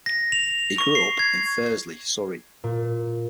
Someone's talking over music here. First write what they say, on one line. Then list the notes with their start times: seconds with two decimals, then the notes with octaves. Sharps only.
He grew up in Thursley, Surrey.
0.06 A#6
0.32 F7
0.78 C#6
0.95 C7
1.19 G#6
2.64 A#2